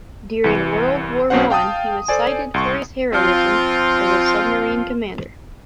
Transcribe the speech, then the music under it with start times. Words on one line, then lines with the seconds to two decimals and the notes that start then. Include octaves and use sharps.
During World War One, he was cited for his heroism as a submarine commander.
0.44 C2 E3 C#7
1.30 B1 B2 C4 C#4 C5 F#5
1.50 F5 G5 A5 D#6
2.08 A4 C5 D5 G#5
2.54 C2 C6 C#6
3.13 F3 C4 F4